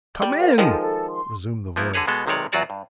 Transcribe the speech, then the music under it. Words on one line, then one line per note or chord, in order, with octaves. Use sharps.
"Come in," resumed the voice.
G3
A#4 C5 F5
D#3 F3 G#3 A4 C5
A4
C6
F3 A#3 B3 E4
D3 F#4 G#4 B4 C#5
B2 G#3 B3 A4
B1 C3 D#3 G#3 C#5 D5
E2 F#3 F4 F#4 D5 A#5
G2